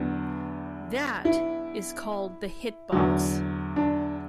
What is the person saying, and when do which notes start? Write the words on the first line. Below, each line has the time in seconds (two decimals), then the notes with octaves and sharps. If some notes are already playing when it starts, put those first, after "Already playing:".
That is called the Hit Box.
Already playing: E2 D3 F#3 B3 D4
1.25 E4
2.92 E2 D3 F#3
3.76 D4